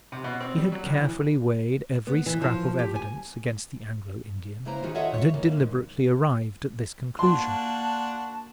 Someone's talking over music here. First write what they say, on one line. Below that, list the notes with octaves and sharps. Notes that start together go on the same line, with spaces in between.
He had carefully weighed every scrap of evidence against the Anglo-Indian; and had deliberately arrived at this conclusion.
C3
B2
C4
G3
F#3
C#2
E3
B3
E3
F3
G4
G#5
C#3 A#3 E4 B4 C5 A#5
D#3 D#4 F4 F#4 G#4
F4 A4 C#5 D#5 E5 F#5
C#5
D#3 E3 A#3
D#2 G#2 D#3
A#3 D4 F#4 A5 C6